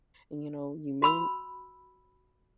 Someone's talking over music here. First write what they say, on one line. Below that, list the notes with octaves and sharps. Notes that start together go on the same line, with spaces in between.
And, you know, you may
F#4 B5 E6